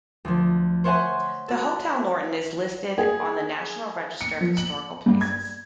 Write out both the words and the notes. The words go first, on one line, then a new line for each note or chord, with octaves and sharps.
The Hotel Norton is listed on the National Register of Historic Places.
D2 F3
C5 C#5 E5 F#5 G#5 C6
F#4 A4
G#4
C#7
F3
F#7
G2
G#6